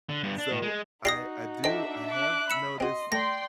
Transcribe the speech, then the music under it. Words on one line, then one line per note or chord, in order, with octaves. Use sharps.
so I I do I have noticed
D3
G2 B3
D4
A2
G#3
D#4 E4 F#4 G4 D5 D#6 A#6 C7
D4 A4 C5 D#5 E5 G5
D6 F#6
B5 E6 C#7 E7
C4 F#4 D#5 C6
A3 D5 G5 C6 A#6